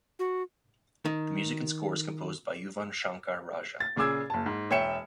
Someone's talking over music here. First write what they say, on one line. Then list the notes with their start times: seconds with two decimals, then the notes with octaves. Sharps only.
The music and score is composed by Yuvan Shankar Raja.
0.19 F#4
1.05 D#3
3.80 A6
3.96 A#2 C#3 G#4 D6 E6 G#6
4.30 F#1 A5
4.46 G#2
4.70 E1 C#5 E5 G5 C#7 E7